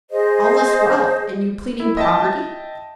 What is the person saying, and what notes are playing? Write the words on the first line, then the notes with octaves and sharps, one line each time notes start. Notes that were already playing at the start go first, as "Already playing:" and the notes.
"All this wealth, and you pleading poverty?"
G#4 C5 D#5
E4
D#5 E5 G5 A5